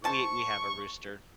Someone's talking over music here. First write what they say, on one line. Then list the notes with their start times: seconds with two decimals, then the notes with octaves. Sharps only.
We we have a rooster.
0.04 F3 A5 C#6